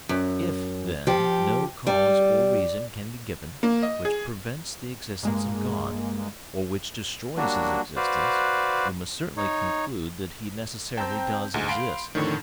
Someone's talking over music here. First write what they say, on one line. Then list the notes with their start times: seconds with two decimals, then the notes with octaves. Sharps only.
If, then, no cause or reason can be given, which prevents the existence of God, or which destroys his existence, we must certainly conclude that he necessarily does exist.
0.09 F#2
1.07 F3 G4
1.87 G3
3.63 A#3
3.82 D#5
4.05 G#4
5.23 G2 G#3 A#3
7.37 F#3 G3 A#3 D4 F#4
7.96 F#4 B4 C5 D5 F5
9.37 D#4 C#5
10.98 C4 G5 A5 A#5 G6
11.54 D2 G#2 G#3 G#5
11.69 F5 B5 C6 D7
12.15 F2 A2 D3 D#3 C#6